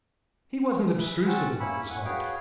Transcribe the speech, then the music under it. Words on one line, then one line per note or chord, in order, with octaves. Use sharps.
He wasn't obtrusive about his heart.
G#3 B4 E5
C4 C#4 F#4 C5 F#5 A5
A#3 C#4 E4 B5 C#6 E6
F#5 G#5
F#4 G#4 B4 C#5 F5 G5